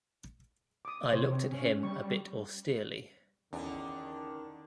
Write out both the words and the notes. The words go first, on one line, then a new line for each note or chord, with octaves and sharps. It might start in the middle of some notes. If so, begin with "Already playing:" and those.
I looked at him a bit austerely.
D6 D#6
C3 C5 C#5
C#4
G3 C#6
E2 D3 D#3 C#4 D4